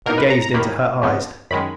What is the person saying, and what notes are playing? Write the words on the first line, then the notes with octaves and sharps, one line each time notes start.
I gazed into her eyes.
B2 A#3 D#4 A#4
B4
A#5
A#5
D#2 D#3 A#3 B5
F2 C#3 F3 B3
F#2 D#3 G#3 B5